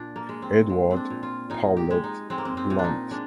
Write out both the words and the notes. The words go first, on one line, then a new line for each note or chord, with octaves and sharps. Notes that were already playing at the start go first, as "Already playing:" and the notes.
Edward Powlett Blunt.
Already playing: A#2 D4
A#3
G#3
C4
G#3
C4
D4
A#2
F4
A#2 D#4
G4
G#3
D#4
G#3 C4
A#3
C4
C4
A#2
D4
D#4
G#3 D4